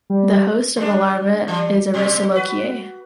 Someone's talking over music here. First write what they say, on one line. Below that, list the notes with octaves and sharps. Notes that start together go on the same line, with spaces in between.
The host of the larva is Aristolochiae.
G3
G3 D4
E3 G3
B2 G3
F#4 B4